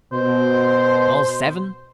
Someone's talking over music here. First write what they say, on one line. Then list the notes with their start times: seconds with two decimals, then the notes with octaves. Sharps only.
"All seven?"
0.13 B2 C5